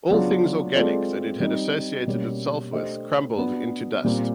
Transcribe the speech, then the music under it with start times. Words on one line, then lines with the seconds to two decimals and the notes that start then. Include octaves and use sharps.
All things organic that it had associated itself with crumpled into dust.
0.09 C#3 F#3 B3 D4 F4
0.75 G#3 C4 F4 A4 D5
1.40 G3 C4 D#4
2.07 B2 G3 A#3 C#4
2.73 A3 D4 G4 C5 D#5
3.38 B3 D4 F#4
4.04 A#2 G3 C4